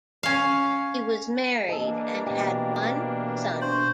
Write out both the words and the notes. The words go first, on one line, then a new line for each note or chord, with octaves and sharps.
He was married and had one son.
C#4 F5
E3 A#3 D4 G#4 A4 D#5
B2 C4 G4
D4 C5 C#6 F#7